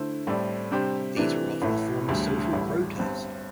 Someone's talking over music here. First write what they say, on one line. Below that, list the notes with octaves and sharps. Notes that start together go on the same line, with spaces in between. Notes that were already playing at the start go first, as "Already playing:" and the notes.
These were often a form of social protest.
Already playing: D3 A3 E4 C5
A2 G3 C4 A4 D5
C3 G3 D4 G4 C5
C3 E3 A3 D4
A1 A2 E3 A3 E4
E1 D2 D3 G3
A1 A2 G3 E4
G1 G2 G3 C4